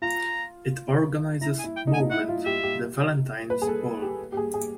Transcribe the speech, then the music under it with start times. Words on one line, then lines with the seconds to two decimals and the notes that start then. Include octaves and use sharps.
It organises Moment, the Valentine's Ball.
0.02 F4 A#5
1.41 E4 A#5
1.59 G#5
1.64 E4
1.76 G5
1.87 D#4
1.94 G#5
2.00 D#4
2.10 E4 F#5
2.29 F4
2.45 G4 E5
2.63 G4
3.50 B4
3.62 G#4
3.67 A4
4.02 G4
4.32 G4
4.37 G#4
4.54 G#4